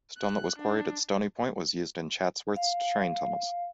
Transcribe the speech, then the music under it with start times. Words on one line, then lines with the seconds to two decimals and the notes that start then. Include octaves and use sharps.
Stone that was quarried at Stoney Point was used in Chatsworth's train tunnels.
0.18 F#6
0.58 D4
2.56 F5